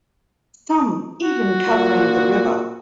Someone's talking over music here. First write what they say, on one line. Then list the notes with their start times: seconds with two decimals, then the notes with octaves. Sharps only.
Some even covering the river.
1.19 F#4
1.67 A#2